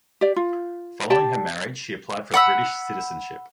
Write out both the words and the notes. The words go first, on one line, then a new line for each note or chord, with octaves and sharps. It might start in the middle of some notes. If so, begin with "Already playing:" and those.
Following her marriage she applied for British citizenship.
G4 D5
F4
G4 D5 G5 A5
F#5 B5 E6